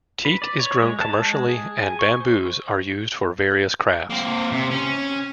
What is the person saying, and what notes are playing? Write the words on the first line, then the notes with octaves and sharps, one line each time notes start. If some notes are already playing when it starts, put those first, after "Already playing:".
'Teak' is grown commercially and Bamboos are used for various crafts.
B4
D5
C#5
G#3
A5
G#3
G#4
G#5
C#6
C5
A#3 C4
C3
C#4